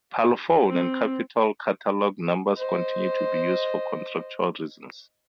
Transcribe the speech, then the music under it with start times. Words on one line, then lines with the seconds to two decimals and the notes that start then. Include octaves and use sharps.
Parlophone and Capitol catalogue numbers continued to be used for contractual reasons.
0.68 C4
2.57 C5 D#5